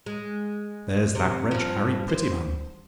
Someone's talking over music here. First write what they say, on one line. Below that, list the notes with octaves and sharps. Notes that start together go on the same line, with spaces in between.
There's that wretch Harry Prettyman.
G#3
C3
G2 F3
C5